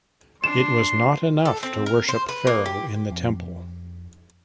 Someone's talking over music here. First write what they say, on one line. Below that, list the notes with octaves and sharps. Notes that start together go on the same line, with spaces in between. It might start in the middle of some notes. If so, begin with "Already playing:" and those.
It was not enough to worship Pharaoh in the temple.
D4 C6 E7
A4
C4
A#4
C5
B4
A#3
G4
F2